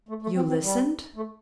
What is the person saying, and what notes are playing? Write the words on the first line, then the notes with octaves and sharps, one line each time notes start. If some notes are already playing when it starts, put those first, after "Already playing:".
"You listened?"
A3
A3
C4
C4
G3
A3